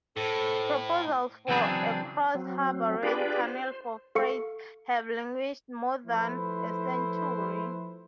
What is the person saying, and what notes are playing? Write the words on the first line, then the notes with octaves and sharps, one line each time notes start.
Proposals for a Cross-Harbor Rail Tunnel for freight have languished more than a century.
A2 A4 C5
C#3 E3 F#3 C4 D4 G#4
F#3 C4
D4 F4 G4 G#4 B4 D5
C5
A4 F5 C#6 C#7
F3 A3 E4 B4 C5